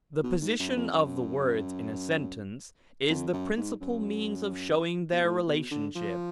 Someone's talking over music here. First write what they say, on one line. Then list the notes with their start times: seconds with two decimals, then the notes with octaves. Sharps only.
The position of the words in a sentence is the principal means of showing their relationship.
0.23 B2
0.41 G#2
0.59 F#2
0.76 F2
0.94 F#2
3.10 F2
3.33 F#2
3.57 G#2
3.81 F#2
5.12 B2
5.23 A2
5.47 B2
5.71 D3
5.95 F3